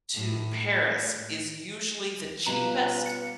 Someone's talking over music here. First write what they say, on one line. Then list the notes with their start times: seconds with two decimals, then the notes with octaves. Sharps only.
to Paris is usually the cheapest,
0.14 A2
2.46 B2 G3 F4 B4 A#5
3.06 C#7